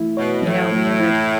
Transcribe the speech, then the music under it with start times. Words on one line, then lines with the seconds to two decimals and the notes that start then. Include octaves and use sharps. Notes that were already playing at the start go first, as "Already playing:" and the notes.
You know, we would
Already playing: E3 A3 E4
0.17 B2 C#5
0.45 A2 E3
0.72 A3
1.00 E4